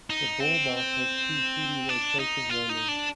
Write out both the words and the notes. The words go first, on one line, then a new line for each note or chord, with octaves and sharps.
The ball mouse has two freely rotating rollers.
D#4
C4
D4
D#4
F4
D#4
D4